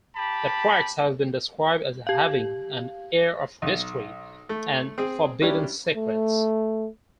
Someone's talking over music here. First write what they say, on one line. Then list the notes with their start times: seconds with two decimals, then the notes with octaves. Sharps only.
The tracks have been described as having an "air of mystery and forbidden secrets".
0.15 G4 A5 B5
2.07 G4 F5
3.62 B1
4.49 A3
4.98 C4 G#4
5.41 F#3 G3 C#4 D4 E4 G4
5.96 A3